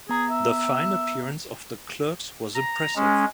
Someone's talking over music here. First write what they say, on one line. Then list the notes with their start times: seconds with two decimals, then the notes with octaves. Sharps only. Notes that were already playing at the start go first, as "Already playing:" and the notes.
The fine appearance of the clerks was impressive.
0.09 B3 G#4 A#5
0.30 E5
2.55 A#5
2.96 G#3 C#4